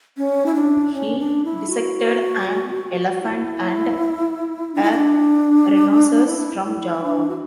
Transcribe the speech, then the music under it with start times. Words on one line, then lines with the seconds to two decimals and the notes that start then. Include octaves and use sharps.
He dissected an elephant, and a rhinoceros from Java.
0.17 C#4
0.46 E4
0.55 D4
0.94 C#4
1.19 D4
1.45 E4
1.70 F#4
3.23 E4
4.75 D4
4.83 E4
4.91 D4
6.27 E4
6.65 E4
7.04 D4
7.29 F#4